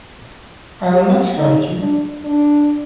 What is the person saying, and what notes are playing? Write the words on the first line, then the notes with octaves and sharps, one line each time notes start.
I’ll not hurt you.
G4
D#4
D4
D4